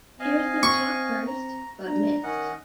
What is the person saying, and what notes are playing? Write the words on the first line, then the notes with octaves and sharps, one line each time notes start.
Harrison shot first, but missed.
C4 D#5 F5 G#5
C#6
A#5
D4 A#5
D#3 C#4 D#5 F#5